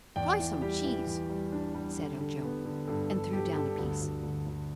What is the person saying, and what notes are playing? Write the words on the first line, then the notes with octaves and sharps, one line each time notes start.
"Try some cheese," said Ojo, and threw down a piece.
E2 D5 G5
E3
G3 G4
E3
E3
G3
D4
G3
D3
D3
B3
D3
G2 A4
G2 A4
G2 G4
G2 A4
D2
D2
D2
D2